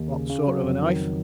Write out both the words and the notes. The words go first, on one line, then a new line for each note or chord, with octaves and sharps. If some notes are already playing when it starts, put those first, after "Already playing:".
"What sort of a knife?"
Already playing: D#2
C#3
C#3
F#3
F2
D#3